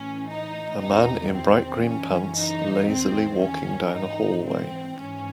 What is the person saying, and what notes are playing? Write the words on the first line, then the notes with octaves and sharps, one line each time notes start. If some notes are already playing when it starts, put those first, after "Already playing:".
A man in bright green pants lazily walking down a hallway.
Already playing: A2 E3 C#4
D#4
E2 C3 D#3 D#4
C4
F#2 C#3 E3 C#4
D#4
E2 D#3 C4
C#4
G#2 E3 D#4
C4
G#2 E3 C#4